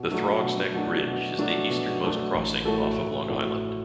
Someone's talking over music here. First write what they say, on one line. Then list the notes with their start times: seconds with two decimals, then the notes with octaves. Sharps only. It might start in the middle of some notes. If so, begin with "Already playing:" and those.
The Throgs Neck Bridge is the easternmost crossing off of Long Island.
Already playing: B2
0.11 F#3 A3 D4
0.43 B2
0.74 F#3 A3 D4
1.06 B2
1.38 F#3 A3 D4
1.70 B2
2.02 F#3 A3 D4
2.34 A1
2.65 A2 A3 F#4 A4
2.97 A1
3.29 A2 A3 F#4 A4